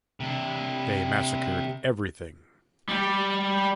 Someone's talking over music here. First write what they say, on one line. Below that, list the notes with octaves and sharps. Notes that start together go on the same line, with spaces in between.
They massacred everything.
C3 D4
G3 G4